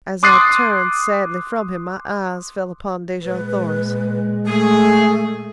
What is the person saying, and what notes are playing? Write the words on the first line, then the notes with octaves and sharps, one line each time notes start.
As I turned sadly from him my eyes fell upon Dejah Thoris.
C6 D6 D#6 F#6 A6 C7
A#2 G#3 B4
A3 G#4